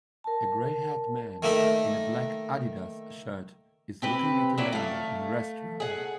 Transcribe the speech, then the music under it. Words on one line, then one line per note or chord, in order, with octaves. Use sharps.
A grayhaired man in a black Adidas shirt is looking at a menu in a restaurant.
A#4 A5
D#3 A3 A#3 D#4 E5 B5
C4 G4 B4
F#3 C#4 D4 E4
A3 F5
G#4 F#5